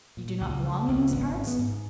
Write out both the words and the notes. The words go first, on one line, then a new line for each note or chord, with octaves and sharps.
"You do not belong in these parts?"
A#2
C#2
C#3
C#2
G#1 B3
G#2
B3
G#2